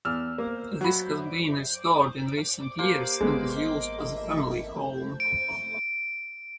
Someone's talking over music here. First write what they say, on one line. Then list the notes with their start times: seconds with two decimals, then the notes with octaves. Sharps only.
This has been restored in recent years and is used as a family home.
0.05 E2 E6 F6
0.38 A#3
0.81 F#3 F#4 B5
2.79 A#3 G4 C5
3.21 G#1 G#3 B3
3.56 D#5
5.20 D7